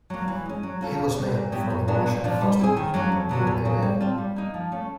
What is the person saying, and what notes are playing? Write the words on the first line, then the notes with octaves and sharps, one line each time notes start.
He was named for the Russian cosmonaut Yuri Gagarin.
F#3 A#3
E3
G#3 C#4
F#3
A#3 C#4 F4 A4
E2
B2 G3
A#2
F#3 B3 E4 G4
F#2
C#3 F#3 B3 D4
A#2
F3 A#3 D4
G3
C4 E4 G#4
D#3
F#3 A#3 C#4
F2
D3 F#3 B3
E2
C#3 F#3
G3
C4 F4 A4 C5
G3
A#3 D#4
F3
A3 C#4